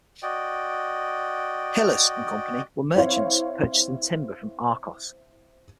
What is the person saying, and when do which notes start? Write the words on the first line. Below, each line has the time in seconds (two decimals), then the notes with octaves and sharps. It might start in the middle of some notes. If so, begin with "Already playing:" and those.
Hillas and Company were merchants purchasing timber from Arcos.
0.23 F#4 D5 D#5 G5
2.96 C4 E4 C#5 F5